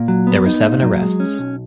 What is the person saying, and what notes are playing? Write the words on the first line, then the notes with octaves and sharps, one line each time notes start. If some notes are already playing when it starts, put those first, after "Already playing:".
There were seven arrests.
Already playing: A#2
F#3
B3
D#4
A#2
F#3
G#3
C#4
B1